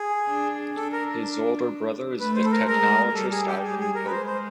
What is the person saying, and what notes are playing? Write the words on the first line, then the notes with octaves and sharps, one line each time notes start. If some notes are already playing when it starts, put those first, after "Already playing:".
His older brother is the technologist Ivan Pope.
Already playing: G#4
D4
D4 A4
A#4
A3 B4
C5
A4
A#4
G#3 A#4
G3 A4
G#4
G4
G#4
G#4
A#4
B4
G#3 C5
C5